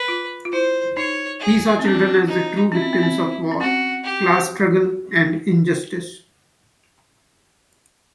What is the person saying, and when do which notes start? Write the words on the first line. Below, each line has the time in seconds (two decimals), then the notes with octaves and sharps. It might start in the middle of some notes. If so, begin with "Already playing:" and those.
He saw children as the true victims of war, class struggle and injustice.
Already playing: B4
0.08 F4
0.45 F4
0.53 E4 C5
0.97 D#4 C#5
1.40 G#4
1.79 C4
1.84 C#4 D4
2.28 D#4
2.72 C#4 E4
2.82 C4
2.93 B3
3.03 C4
3.52 C#4
3.60 C4 F#4
4.04 G4